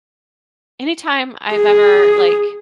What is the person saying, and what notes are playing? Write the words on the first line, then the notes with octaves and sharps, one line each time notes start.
anytime I've ever, like,
G#4